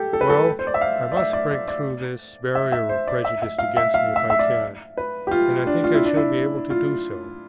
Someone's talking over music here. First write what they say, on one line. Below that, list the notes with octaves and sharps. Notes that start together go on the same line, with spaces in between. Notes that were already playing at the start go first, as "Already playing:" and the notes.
Well, I must break through this barrier of prejudice against me if I can; and I think I shall be able to do so.
Already playing: G4 A4
A4
B4
A4
C5
D5
E5
F5
D5
E5
D5
D5
D5
E5
E5
C5
D5
E5
E5
F5
E5
F5
E5
E5
D5
B4
G4
F4
D4
F4
E4
D4
E4
F4